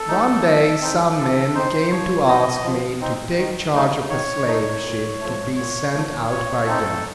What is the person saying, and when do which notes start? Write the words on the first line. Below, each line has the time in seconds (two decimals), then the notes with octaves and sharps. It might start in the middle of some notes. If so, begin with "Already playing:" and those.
One day some men came to ask me to take charge of a slave ship to be sent out by them.
Already playing: A4
0.08 A3 D#4
0.45 F3
0.81 C4 D#4
1.18 F3 A4
1.54 C4 D#4 C5
1.91 F3 C#5
2.27 C4 D#4 D#5
2.64 F3
3.01 C4 D#4
3.37 D#3
3.74 A3 D#4
4.10 D#3 C#5
4.47 A3 D#4
4.83 A#2
5.20 F3 A3
5.56 A#2 C#5
5.93 F3 A3
6.30 A#2 C#5
6.66 A3 C4 D#4 A4